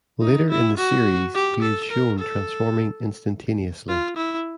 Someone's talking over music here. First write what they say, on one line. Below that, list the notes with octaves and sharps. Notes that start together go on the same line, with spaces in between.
Later in the series he is shown transforming instantaneously.
D#4
E4
F#4
G4
A4
A#4
A4
F4
E4